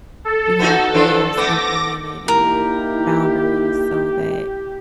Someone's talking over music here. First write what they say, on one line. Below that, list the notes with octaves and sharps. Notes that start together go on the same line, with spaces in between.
you have rules implemented and boundaries so that
A4
B3 D#4 F#4
E3 F3 D4
A3 B3 D6 A#6
A#3 D#4 E4 G4 A#4